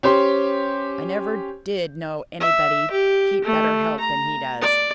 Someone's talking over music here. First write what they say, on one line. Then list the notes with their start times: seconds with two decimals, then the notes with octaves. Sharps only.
I never did know anybody keep better health than he does.
0.03 C#4 G4 C5 C6
2.40 E5
2.91 G4
3.44 A3
3.99 A#5
4.61 D5